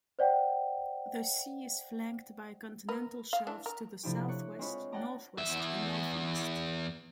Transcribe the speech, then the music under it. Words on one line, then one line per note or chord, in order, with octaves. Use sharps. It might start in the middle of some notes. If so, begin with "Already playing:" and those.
The sea is flanked by continental shelves to the southwest, northwest, and northeast.
C5 D5 F#5 G5
A#4 B4
F5
E3 D4
A#4
C3 F3 A3 D4 E4 G4
C#5 D6 F#6 C#7
G#3 C4 D4 F4 B4 C#5
D5 F#5 G5 A5 A#5 D6
E2 E5